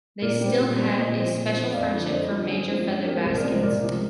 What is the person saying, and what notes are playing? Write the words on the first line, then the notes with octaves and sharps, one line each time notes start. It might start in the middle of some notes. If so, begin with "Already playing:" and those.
They still had a special friendship for major feather baskets.
A#2 A#4 D5
G3 C4
A#2
G3 C4
A#2 C5 D#5
F3 C4
A#2
F3 C4
F2 D5 F5
D3 F3
D5
F2 C5 D#5
D3 F3
G2 G#4
F3 G#3 C4
G2 G#4
F3 G#3 C4 G4 A#4
C2 G#4 C5
A#4 D5
C3 F3 G#3
C5 D#5
C2 A#4 D5
C3 F3 G#3